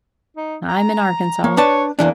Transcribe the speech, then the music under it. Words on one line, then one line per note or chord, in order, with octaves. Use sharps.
I'm in Arkansas.
D#4
A#5
A#3 C#5
D4 B4 C#5 A5
E2 E3 A#3 D4